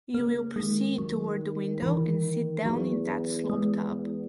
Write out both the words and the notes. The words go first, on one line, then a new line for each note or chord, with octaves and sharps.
You will proceed toward the window and sit down in that slop-tub.
C#3 A#3
D#3 G#3
F#3
E3
E2 F#3
G#3